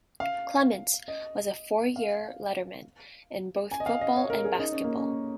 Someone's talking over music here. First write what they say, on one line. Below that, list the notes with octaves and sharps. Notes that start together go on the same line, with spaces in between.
Clements was a four-year letterman in both football and basketball.
F5
D#5
F5
G#5
D#5
F5
D#5
C#5
A#4
G#4
D#4
C#4
A#3
C#4